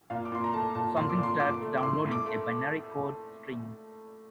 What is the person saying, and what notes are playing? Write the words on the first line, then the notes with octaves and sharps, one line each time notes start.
Something starts downloading: a binary code string.
A#2 F5
D6
A#2 C6
A#5
A3 A5
A#2 A5
A#2 C6
D6
A#2
C6
A#2 D6
A3
D6
A2 C6
A2
D6
A3